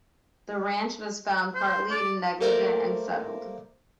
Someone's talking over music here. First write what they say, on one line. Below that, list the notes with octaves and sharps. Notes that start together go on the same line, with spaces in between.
The Ranch was found partly negligent and settled.
C5
D5
A3 A#3 A#4 C5 D5